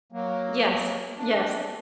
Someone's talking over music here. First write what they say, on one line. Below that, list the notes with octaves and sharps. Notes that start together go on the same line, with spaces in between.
Yes, yes.
F#3 A#3
D4